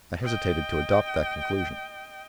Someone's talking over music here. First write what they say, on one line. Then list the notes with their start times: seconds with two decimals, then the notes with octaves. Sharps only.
I hesitated to adopt that conclusion.
0.24 D#5 G5